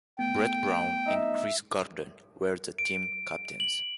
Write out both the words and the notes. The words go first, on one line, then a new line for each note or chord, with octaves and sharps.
Brett Brown and Chris Gordon were the team captains.
A3 B3 G5
D#4 E5
D7
F#7